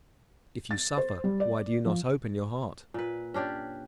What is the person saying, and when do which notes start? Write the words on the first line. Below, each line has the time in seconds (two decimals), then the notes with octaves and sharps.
If you suffer, why do you not open your heart?
0.71 A6
0.98 C5
1.24 G3
1.40 D5
1.86 F3
2.94 A#2 B4
3.34 C#4 D4 G4 D5